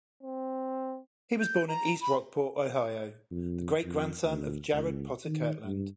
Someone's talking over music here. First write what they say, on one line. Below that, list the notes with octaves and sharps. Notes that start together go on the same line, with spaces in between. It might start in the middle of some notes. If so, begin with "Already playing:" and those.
He was born in East Rockport, Ohio, the great-grandson of Jared Potter Kirtland.
C4
G6
A#5
B5
F2
F2
D2
C#2
D#3
G2